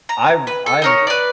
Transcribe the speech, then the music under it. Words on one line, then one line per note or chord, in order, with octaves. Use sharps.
I ru I've
A#5
B4
A4
D#4 A#4 C#5
B4 D5